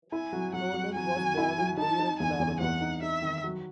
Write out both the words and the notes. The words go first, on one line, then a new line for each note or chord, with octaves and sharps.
Conan was born in Beirut, Lebanon.
E4 G#5
F#3
F#3 F#5
F#3
F#3 G#5
F#3
E4
F#3
D#4 A5
D#4
E2 G#5
E2
E2 F#5
D#4
D#4 E5
D#3
F#3